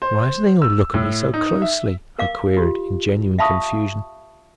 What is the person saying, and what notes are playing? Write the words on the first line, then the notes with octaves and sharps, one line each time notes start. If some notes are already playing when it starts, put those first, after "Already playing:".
"Why do they all look at me so closely?" I queried, in genuine confusion.
C5
E6
A2
D#4
E5
A#4 F5 D6
F4 G4
E5 F5 A5 B5 C#6 D#6